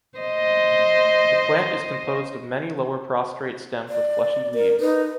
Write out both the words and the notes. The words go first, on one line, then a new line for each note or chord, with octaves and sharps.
The plant is composed of many lower prostrate stems with fleshy leaves.
C5 D#5
D5
A#4
D#4 B4